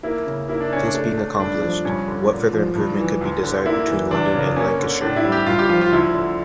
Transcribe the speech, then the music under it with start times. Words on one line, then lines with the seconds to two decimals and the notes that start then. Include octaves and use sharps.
This being accomplished, what further improvement could be desired between London and Lancashire?
0.03 A#3 E4
0.26 C#3
0.48 A#3 E4
0.60 D4
0.72 C#3 C#4
0.84 D4
0.94 A3
1.17 A3
1.40 G2 D4
1.61 F3
1.85 G2 C#4
2.08 D3
2.29 A#2
2.53 F3
2.75 G2
2.98 E3
3.21 D2
3.43 D3
3.66 A#3 E4
3.88 E3
4.11 E2 D4
4.34 C#3
4.56 A#3 C#4
4.79 D3
5.01 A2 D4
5.16 E4
5.24 G3
5.32 G4
5.46 G2 F4
5.59 G4
5.69 F3 F4
5.81 F4
5.92 D2 E4
6.14 D3